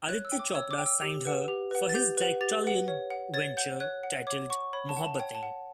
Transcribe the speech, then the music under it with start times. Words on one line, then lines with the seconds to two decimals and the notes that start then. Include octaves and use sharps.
Aditya Chopra signed her for his directorial venture titled "Mohabbatein".
0.09 C#5 F#6
0.25 E6
0.32 G5
0.39 D6
0.55 C#5 E6
0.71 D6
0.78 G5
0.86 E6
1.02 G4
1.25 B4 F#5
1.48 G4
1.71 B4 F#5
1.89 A6
1.94 G4 G6
2.17 B4 F#5
2.41 G4 A6
2.64 B4 F#5
2.88 C#5
3.10 F#5
3.34 C#5 A6
3.57 F#5 G6
3.80 C#5 F#6
4.03 F#5
4.27 C#5 D6
4.50 F#5 C#6
4.73 C#5 B5
4.89 A5
4.97 F#5
5.04 A5
5.19 C#5 G5
5.35 A5
5.43 F#5